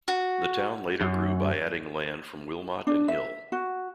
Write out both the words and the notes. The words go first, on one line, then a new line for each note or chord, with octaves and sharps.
The town later grew by adding land from Wilmot and Hill.
F#4
F#2
D4
E5
F#4